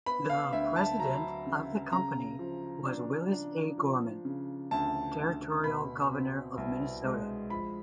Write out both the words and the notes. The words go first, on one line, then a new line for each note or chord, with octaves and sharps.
The president of the company was Willis A. Gorman, Territorial Governor of Minnesota.
B3 B5
F5
D2 E5
A5
F#3 A#5
C#3
C#3 A#5
F3
D4
D4
F3
C#3
D2 A5
D2
B2 B5
C4
C2
G#3
F3 B5